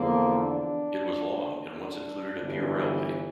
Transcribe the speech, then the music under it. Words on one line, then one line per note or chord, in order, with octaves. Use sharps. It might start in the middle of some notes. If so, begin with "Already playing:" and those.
It was long and once included a pier railway.
Already playing: E2 D3 F3 A#3
D4
D4
G1 G2 E3